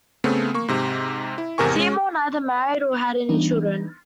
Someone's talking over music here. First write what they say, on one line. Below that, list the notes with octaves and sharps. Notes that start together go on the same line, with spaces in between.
Seymour neither married or had any children.
C#3 A3 B3 C4
A#3 C#6
G#2 C3
E4
G#1 E2 C3 A#4 G#5 C#6
G#3 C#4
E3 G3 B3 D4 D#4